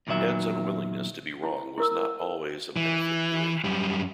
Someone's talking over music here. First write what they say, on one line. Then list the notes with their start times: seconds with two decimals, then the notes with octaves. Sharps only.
Head's unwillingness to be wrong was not always of benefit to him.
0.07 E2 A#2 D#3 F#3 E5
1.43 E4
1.78 E4 A#4 E6
2.76 E3
3.64 F#2 G3